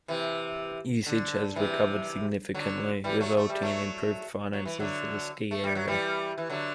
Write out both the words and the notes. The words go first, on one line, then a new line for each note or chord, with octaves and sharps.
Usage has recovered significantly resulting in improved finances for the ski area.
C3 E3
D3
C3 E3
D3 F#3
E3 G3
F#3 A3
A3
G3
F#3 A3
F#3
E3
D3 F#3
A3
G3
F#3
E3 G3
E3
D3 F#3